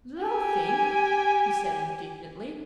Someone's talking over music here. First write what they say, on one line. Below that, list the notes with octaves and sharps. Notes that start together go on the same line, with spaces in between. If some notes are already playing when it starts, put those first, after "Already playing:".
"Loafing!" he said indignantly.
G4 G#5